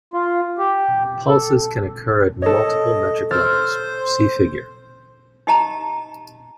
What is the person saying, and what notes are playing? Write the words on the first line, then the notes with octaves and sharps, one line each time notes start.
Pulses can occur at multiple metric levels - see figure.
F4
G4
A4
A4 C#5 D#5
C5 E6 F6 A6
D#4 G4 D#5 A5 A#5